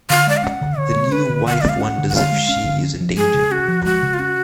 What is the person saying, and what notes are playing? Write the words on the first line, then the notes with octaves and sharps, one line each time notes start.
The new wife wonders if she is in danger.
D3 F5
G#3 D5
F5
C#4 F#5
D3
D3 C#5
G#3
C#4 B4
D3
D3 F#5
F5
G#3 D5
F5
C#4 F#5
D3
F#5
D3 F5
G#3
C#4
D3
C#4
F3
G#3 G#4
C#3
C#4 F#4
F3
G#3 F#4
C#3
F4
C#4 F#4